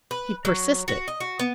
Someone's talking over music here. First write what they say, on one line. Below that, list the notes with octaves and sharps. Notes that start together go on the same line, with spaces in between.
He persisted.
B4
F#3
F#4
D#5
F#4
B3